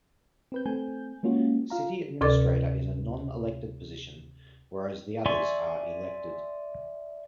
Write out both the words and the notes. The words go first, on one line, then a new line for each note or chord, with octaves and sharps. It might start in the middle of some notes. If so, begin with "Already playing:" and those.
City Administrator is a non-elected position, whereas the others are elected.
C4 B4 G6
A3 C4 G#5 G6
G#3 A#3 C#4 F4 F#4
F4 F5 A#5
D2 C3 A4 D5 D6 A6
D5 E5 G#5 C6 C#6